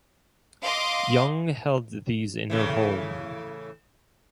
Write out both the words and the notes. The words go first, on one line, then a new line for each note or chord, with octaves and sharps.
Young held these in her home.
D#5 F5 C6 D6
A2 C#3 E3